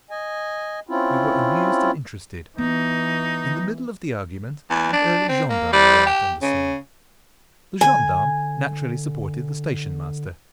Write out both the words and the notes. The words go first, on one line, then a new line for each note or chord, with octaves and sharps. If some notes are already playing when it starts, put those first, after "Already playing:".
We were amused and interested. In the middle of the argument an early gendarme arrived on the scene. The gendarme naturally supported the station-master.
D#5 G#5
C4 C#4 E4 F4
E3 B3 D#4
E2
D4
C4
A#3
G3
G4
C#3
D3 G#5